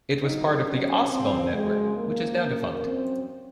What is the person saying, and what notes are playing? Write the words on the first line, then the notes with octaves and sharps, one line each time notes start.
It was part of the AusBone network, which is now defunct.
F2 C#3 F#3 D#4
D#2 D#3 F#3 C#4
D#2 C#3 F3 C4
F#2 C#3 F3 G#3
F#2 F3 A#3
F#2 C#3 F3
F#2 F3 C4